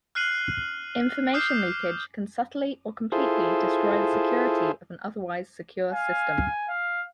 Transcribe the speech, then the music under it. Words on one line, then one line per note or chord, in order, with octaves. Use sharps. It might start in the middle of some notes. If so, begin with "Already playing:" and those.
Information leakage can subtly or completely destroy the security of an otherwise secure system.
F6 F#6 C7 D#7 F#7
D6 D#6 F6 G6 C7
E4 F4 G#4 A4 C5
F5 G#5
F5